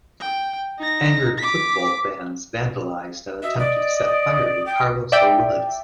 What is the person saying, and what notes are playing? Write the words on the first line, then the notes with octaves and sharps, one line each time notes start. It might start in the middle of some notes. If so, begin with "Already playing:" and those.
Angered football fans vandalized and attempted to set fire to "Carlos O’ Willys".
G5
D#4 A#6
D6 B6
F#4 D#5 E5
D5 D#6
G5
D5 E5 G5